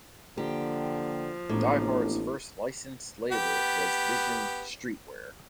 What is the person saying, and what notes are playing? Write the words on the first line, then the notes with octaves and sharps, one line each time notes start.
Die Hard's first licensed label was Vision Streetwear.
D3 F3 A#3 G4 G5
A1 A2 A#3 B3 D4
B3 G4